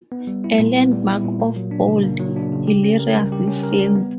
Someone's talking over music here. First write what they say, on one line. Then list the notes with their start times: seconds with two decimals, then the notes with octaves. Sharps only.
A landmark of bold, hilarious filth.
0.12 B3
0.27 G3
0.44 E4
0.59 A#2
0.75 B3
0.91 G3
1.08 E4
1.24 A#2
1.40 A#3
1.56 F#3
1.71 D4
1.88 C#3
2.03 A#3
2.20 F#3
2.36 D4
2.52 C#3
2.67 G4
2.84 C#4
2.99 A#4
3.16 G3
3.32 G4
3.48 C#4
3.63 A#4
3.80 G3
3.96 B3